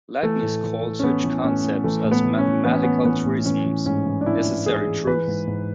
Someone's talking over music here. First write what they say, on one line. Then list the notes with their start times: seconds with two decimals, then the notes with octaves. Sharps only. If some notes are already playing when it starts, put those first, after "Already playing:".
Leibniz called such concepts as mathematical truisms "necessary truths".
0.23 E3 A3
0.43 A2
0.63 E3
0.83 A2
0.99 C#4
1.03 E3 B3
1.24 E3
1.44 A2 C#4
1.64 A2
1.84 E3 A3
2.04 A2
2.11 B3
2.25 E3
2.38 C#4
2.45 E3
2.65 E3 B3
2.74 C#4
2.83 E3 B3
3.05 E3 B3
3.25 A2
3.45 E3 C#4
3.66 E3
3.86 G#2 C#4
4.06 E3
4.21 D4
4.26 E3 E4
4.47 E3
4.66 E3 G#4
4.87 E3
5.07 E3 B4
5.27 G#2
5.47 G#2